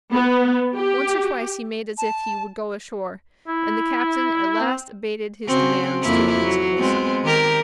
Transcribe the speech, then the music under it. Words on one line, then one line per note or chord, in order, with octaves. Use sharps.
Once or twice he made as if he would go ashore, and the captain at last abated his demands to a reasonable sum.
B3
G4
A5
E4
C4
C#3 C4 F#4
F2 A#3 E4
F#3
G#3 B3 C4
D#3 G4 A#4